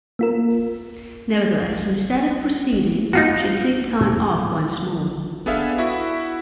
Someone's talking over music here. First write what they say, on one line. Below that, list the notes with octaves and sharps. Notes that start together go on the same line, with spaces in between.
Nevertheless, instead of proceeding she took time off once more.
A#3 F4 A#4
D#4 F4 F#4
B3 D4 G#4 A4 E5 F5
E4 F#4 E5 B6